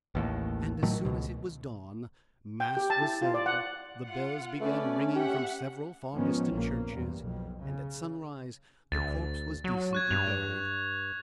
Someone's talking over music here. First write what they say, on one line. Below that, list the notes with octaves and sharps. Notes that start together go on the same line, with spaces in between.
And as soon as it was dawn mass was said; the bells began ringing from several far-distant churches; and at sunrise the corpse was decently buried.
A1 D#2 A2
A2 D#3 F#3 A3
C#2 B2
G5
G4
A5
E4
F4
D5
F#5
F4 F#5
A3 C#4 B4 D5
G4 E5 F#5
G#2 D#3 F3 B3 C#4
A#1 F2 A#3
E2 G2
B1 F2
C#3
D2 A6
F#3
C#6 F#6 G#6
G2 F7